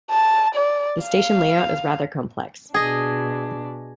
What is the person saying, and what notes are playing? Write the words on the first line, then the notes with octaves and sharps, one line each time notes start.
The station layout is rather complex.
A5
D5
F5
B2 D4 G#4 D#5